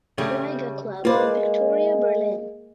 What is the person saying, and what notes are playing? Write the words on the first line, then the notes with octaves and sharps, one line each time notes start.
Liga club Viktoria Berlin.
C#3 G3 A3
G#3 A#3 F4 B4 C5 D5